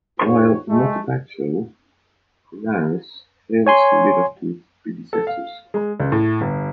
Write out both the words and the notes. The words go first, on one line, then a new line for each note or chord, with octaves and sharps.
While not a bad show, 'Louse' fails to live up to its predecessors.
B3 D#4 G#4 C5 C#5
G#3 A3
C#5 G#5 C6
A4
F5
G#3
C#2
A2
G1